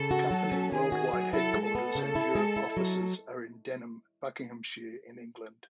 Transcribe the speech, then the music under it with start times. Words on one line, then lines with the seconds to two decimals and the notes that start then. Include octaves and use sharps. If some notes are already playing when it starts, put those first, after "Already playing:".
The company worldwide headquarters and Europe offices are in Denham, Buckinghamshire in England.
Already playing: C#3 A4
0.11 F#4
0.31 F#3
0.52 C#4
0.72 D#3 G#4
0.92 F#4
1.13 F#3
1.33 E4 A4
1.54 G#3
1.64 A4
1.75 B3
1.95 C#3
2.15 E4
2.35 G#3
2.56 E4
2.77 F#3